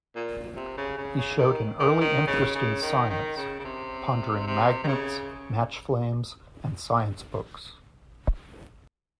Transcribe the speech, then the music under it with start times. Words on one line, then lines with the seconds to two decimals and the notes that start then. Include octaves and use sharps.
He showed an early interest in science, pondering magnets, match flames, and science books.
0.15 A#2
0.56 C3
0.77 C#3
0.98 C#3
1.17 C#3
1.38 D#3
1.80 D#3
2.01 D#3
2.27 C#3
2.55 C#3
2.82 D#3
3.10 D#3
3.37 C#3
3.59 C#3
3.65 C3
4.47 C3
4.84 D#3
4.87 C#3